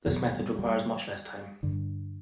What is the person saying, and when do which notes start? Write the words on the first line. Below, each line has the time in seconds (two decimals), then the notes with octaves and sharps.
This method requires much less time.
0.07 E2 B2 F#3
0.32 G3
0.59 G3
1.63 G2 D3